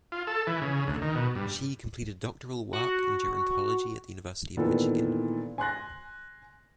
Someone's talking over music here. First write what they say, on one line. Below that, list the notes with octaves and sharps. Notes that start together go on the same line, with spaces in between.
She completed doctoral work in gerontology at the University of Michigan.
F4
A4
E3
C#3
D2
D#3
B2
G2
F#4
A#2 D#3 E3 B3 D#4 A4
G#5 C6 F#6 A#6